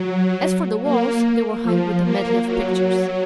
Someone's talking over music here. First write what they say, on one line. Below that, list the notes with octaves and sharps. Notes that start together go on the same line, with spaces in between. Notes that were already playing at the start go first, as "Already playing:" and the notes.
As for the walls, they were hung with a medley of pictures.
Already playing: F#3
A#3
F3
A#3
F#3